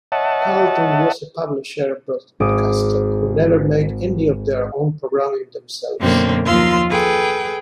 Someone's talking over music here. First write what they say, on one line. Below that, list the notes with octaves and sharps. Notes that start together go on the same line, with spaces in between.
Carlton was a publisher broadcaster who never made any of their own programming themselves.
C#5 D#5 E5 F#5 A5
G#1 D6 D#6
F#2 B2 D3 A#3 C4 D4
D#2 F3 F4 F5 C6 E6
G#4 A4 B4 G5